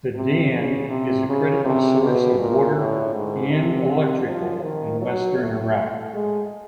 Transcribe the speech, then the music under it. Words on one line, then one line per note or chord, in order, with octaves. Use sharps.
The dam is a critical source of water and electrical in western Iraq.
C3
C#3
C3
C#3
C3
B2
A#2
A2
G#2
C3
F3
D#3
F#3
A3
G#3